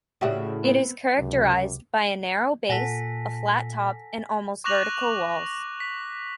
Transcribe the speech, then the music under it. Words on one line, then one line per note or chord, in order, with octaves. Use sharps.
It is characterized by a narrow base, a flat top and almost vertical walls.
A2 C#3 F#4 G4 E5
B3 C4
C#2 F#2 C3
A#2 A4 F#5 G#5 A#6 B6
C#6 D6 F#6 A#6 F7 F#7
B6